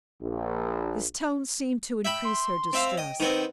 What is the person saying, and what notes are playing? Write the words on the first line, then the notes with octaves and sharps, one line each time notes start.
His tone seemed to increase her distress.
A#1
E5 G5 B5
C6
C4 E5 F5
D#5 G5
D#3 B3 C4